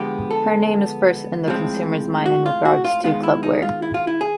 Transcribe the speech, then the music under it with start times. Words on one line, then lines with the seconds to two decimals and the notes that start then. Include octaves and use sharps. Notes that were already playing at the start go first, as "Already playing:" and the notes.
Her name is first in the consumers mind in regards to club wear.
Already playing: D3 F3 G#3 B3 G4
0.31 A4
1.47 A2 F3 G#3 C4
2.26 F#4
2.46 F4
2.65 F#4
2.85 F4
3.04 D#3 G#3 B3 F4
3.23 E4
3.43 D#4
3.62 F4
3.82 E4
3.94 F4
4.07 E4
4.21 G#4